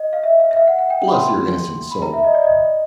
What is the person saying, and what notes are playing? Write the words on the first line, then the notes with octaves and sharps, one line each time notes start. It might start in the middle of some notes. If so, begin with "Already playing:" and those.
Bless your innocent soul!
Already playing: D#5
F5
E5
F5
E5
F5
F#5
F#5
G5
G5
B5
C6
B5
A#5
E5
D#5
D5
D#5